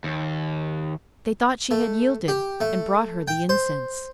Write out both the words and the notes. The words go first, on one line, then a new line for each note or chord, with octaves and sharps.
They thought she had yielded, and brought her the incense.
D#2
A3
G4
A3
G5
C5